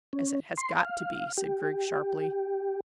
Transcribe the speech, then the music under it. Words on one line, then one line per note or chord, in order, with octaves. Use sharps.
"As it has got to be," said Griggs sharply.
C#4
C6
F5
G4